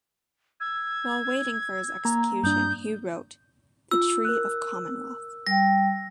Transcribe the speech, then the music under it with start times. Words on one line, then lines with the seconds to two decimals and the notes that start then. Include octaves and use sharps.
While waiting for his execution he wrote "The Tree of Commonwealth".
0.60 E6 G#6
2.05 A#3 A#5
2.43 G2 D4 D#6 G6
3.91 F4 E6
4.25 A#4 F#6
5.47 G3 G5 A#6